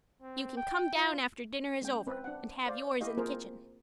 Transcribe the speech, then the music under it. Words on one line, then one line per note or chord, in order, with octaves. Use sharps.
"You can come down after dinner is over and have yours in the kitchen."
C4
G5
F4
G#3 C#4 G5
C4 B4
D4 F#5
C5 D5 F5
A3 E4 G4 D#5 F5
A#3 C4 F4 G#4 A#4 C5